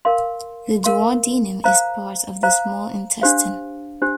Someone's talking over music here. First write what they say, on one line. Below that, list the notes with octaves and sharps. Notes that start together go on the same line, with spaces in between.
The Duodenum is part of the small intestine.
A#4 F5 C6
A#4 F5 C6
C5 F5 A#5
C5 F5 A#5
D4 G4 C5 F5
D4 G4 C5